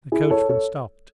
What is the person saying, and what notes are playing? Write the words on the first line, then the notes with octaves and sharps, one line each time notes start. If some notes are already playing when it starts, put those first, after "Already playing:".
The coachman stopped.
E4 G#4
A4 C#5
A4 C#5